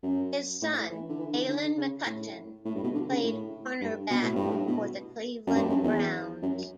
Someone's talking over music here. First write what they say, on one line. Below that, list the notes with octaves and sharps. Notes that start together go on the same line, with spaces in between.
His son Daylon McCutcheon played cornerback for the Cleveland Browns.
F#2
A2
E3
D3
E3
D3
D3
C#3
A2
A2
G2
B2
D3
C#3
A2
G2
B2
A2
G2
A2
B2
F#2
G2
F#2
E2
F#2